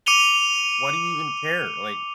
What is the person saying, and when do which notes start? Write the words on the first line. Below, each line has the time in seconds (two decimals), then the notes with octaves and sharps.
"Why do you even care?" Like,
0.06 D6 C#7 D#7 F7 G7